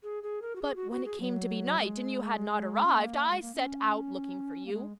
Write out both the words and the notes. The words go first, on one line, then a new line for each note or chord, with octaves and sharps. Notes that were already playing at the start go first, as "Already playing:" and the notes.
But when it came to be night and you had not arrived, I set out looking for you.
G#4
G#4
A#4
F#4
G#4
F#4
F#4
G#4
F#3
G#3
C#4
A#3
G#3
A#3
C#4
A#3
G#3